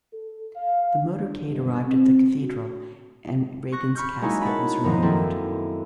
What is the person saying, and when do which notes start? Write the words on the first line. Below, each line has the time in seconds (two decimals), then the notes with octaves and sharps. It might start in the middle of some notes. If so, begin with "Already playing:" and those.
The motorcade arrived at the Cathedral and Reagan's casket was removed.
0.13 A4
0.56 F5
1.14 D4
1.49 G1
1.87 C4
2.42 F#4
3.72 C#6 F#6 A#6
3.95 B5 C#6 F6 G6
4.22 G#3 A#3 C#4 D#4 E4 F#4
4.41 F#4 A5 B5
4.84 F#2 B2 D#3 F3 B3 D#4
5.02 A#3 C4 E4 A4